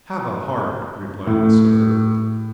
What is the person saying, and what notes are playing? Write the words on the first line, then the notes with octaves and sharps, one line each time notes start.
"Have a heart," replied the sufferer.
A2